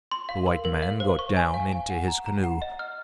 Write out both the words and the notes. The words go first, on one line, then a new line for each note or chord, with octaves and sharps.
The white man got down into his canoe.
C6
F5
A#4
A#4
F5
C5
C#6
G#5
F5
G#5
F#5
A#5
A#5
F#5
D#5
F6